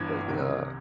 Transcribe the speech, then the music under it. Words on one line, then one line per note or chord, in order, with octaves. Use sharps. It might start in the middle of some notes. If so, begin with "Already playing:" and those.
Like, uh,
Already playing: G1 G2 E3 G#6
C2 C3 D#3